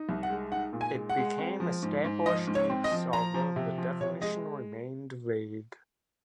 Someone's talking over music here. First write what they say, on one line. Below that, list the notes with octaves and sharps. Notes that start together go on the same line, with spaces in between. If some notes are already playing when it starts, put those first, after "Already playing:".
It became established use, although the definition remained vague.
Already playing: D#4
C2
F#5
G#3
D#4 F#5
A#2
G#5
G#3
F#5
G#3
C4
F3
G#2
G#2
F3 D#5
G#2
C#5
C4
D#5
F3
F3 A#5
F3
C3
F3
C3 C#5
G#3 D#5